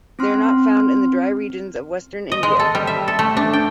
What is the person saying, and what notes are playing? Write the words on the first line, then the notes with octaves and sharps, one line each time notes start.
They are not found in the dry regions of western India.
C4 C#4 C6 F6
D#5
G#3
A4
G3
E5
A4
A3
D4
G5